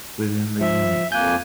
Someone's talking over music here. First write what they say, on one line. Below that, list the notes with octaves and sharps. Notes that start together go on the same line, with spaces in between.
Within the unit.
F3 E5
F2 A#3 G#5 F#6 G6